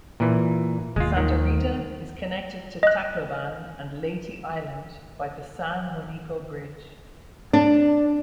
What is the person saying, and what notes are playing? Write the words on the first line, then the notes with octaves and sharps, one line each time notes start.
Santa Rita is connected to Tacloban and Leyte Island by the San Juanico Bridge.
A#2 E3
D#2 G#3 F4
D#3
D#5 F#6
D4